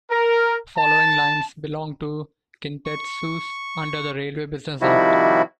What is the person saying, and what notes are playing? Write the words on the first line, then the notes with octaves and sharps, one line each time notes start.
Following lines belong to Kintetsu's under the Railway Business Act.
A#4
A5
C#6
C3 D#3 F3 G3 E4 F#4